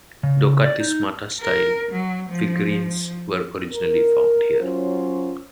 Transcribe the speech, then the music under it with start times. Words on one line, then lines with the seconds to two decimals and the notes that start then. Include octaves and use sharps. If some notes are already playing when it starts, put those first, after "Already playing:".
'Dokathismata style' figurines were originally found here.
0.23 C#3
0.64 D5
0.80 D#4
1.40 A#4
1.92 F#3
2.29 F3
3.72 A#4
4.60 F#2 F#3 C#4 F4 C5